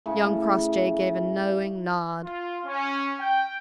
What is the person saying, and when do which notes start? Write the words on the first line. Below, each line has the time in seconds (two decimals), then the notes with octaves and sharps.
Young Crossjay gave a knowing nod.
0.06 A2 C#3
2.24 F4
2.66 C#4
3.19 G5